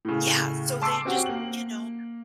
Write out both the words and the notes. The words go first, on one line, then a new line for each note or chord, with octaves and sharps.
Yeah, so they just you know,
A2 C#3
A5 C6 D6 E6 C7 D7
C4 C#4 F#4 G4
A#3 F#7